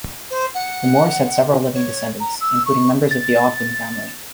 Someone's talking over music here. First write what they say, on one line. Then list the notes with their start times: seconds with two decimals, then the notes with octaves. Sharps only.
The Moores had several living descendants, including members of the Ogden family.
0.30 C5
0.54 F#5
1.74 C#5
2.20 A#5
2.41 E6
2.66 C#6
3.11 A6